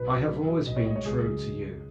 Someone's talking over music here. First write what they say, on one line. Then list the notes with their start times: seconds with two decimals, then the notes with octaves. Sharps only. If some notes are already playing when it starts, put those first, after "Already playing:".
I have always been true to you.
Already playing: B1 B4
0.11 B2 F#3
0.30 F#2
0.48 F#3
0.67 B1 D#5
0.76 C#5
0.86 B2 G#3 D#5
0.96 C#5
1.05 C#2 G#4
1.24 C#3 F#3